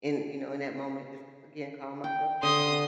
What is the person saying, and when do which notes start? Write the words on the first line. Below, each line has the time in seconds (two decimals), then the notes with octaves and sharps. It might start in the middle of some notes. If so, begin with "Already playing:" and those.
in you know, in that moment just to, again, calm myself down,
2.04 G5
2.43 D3 C6 D#6